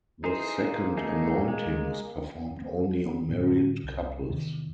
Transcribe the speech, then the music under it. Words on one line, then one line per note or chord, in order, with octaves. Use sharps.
The second anointing is performed only on married couples.
E3 D#4 G#4 C5
A#3
A3 D#4 G#4
G#3
A#3 C4
A2 D3 G3
C2
E2 C3 D#3